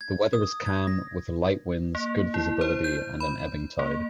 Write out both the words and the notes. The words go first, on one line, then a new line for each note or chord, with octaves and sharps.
The weather was calm with light winds, good visibility, and an ebbing tide.
G#6
D#6
G#6
A#6
A#3
E4
C5
G6
B5
A#3